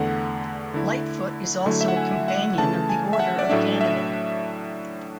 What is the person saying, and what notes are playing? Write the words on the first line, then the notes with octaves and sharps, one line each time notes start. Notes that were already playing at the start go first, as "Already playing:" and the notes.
Lightfoot is also a Companion of the Order of Canada.
Already playing: E2 D3 A3 F#5
D3 A3 E4
D3 F#3 A3 E4
E5
F#5
G#5
F#5
C#3 E3 A3 A5
G#5
E5
F#5
D5
A2 F#3 A3 D4 E5
E5